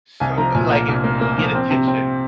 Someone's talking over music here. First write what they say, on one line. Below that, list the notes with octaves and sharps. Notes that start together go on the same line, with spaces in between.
So, eh, like when you get attention
C2 G#5
F3 A#5
A#2 G#5
A#3 A#5
C2
A#3
A#3
F3
C4
C3
C4